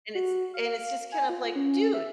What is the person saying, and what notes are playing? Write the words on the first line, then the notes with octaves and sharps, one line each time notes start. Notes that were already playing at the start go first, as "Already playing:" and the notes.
And it's and it's just kind of like, "Dude,
F#4
F5
G#5
F4
C#4
E5